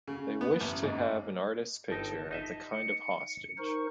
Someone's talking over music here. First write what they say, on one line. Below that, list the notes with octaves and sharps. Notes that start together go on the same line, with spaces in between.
They wished to have the artist’s picture as a kind of hostage.
C#3
B3
A1
G#2
G1 D#4 G5 A5
D#4 D#5 E5
C#7
D#4 A#4 C5 C#6